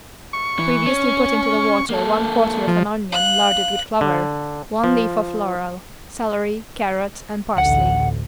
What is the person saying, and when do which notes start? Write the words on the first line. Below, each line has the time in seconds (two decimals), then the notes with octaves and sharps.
Previously put into the water one quarter of an onion larded with clover, one leaf of laurel, celery, carrot and parsley.
0.33 C#6
0.59 E3
0.87 C#4
1.90 A#3 A4
2.68 F3
3.12 F5 F#6
4.01 D3
4.84 F3
7.58 A1 D2 F#5